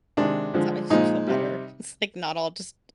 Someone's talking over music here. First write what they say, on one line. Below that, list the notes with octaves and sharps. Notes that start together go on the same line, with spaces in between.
Is that makes me feel better, it's, like, not all just
C3 D#3 G#3 D4
D3 F3 G#3
A#2 F3 G#3 D#4
C3 G3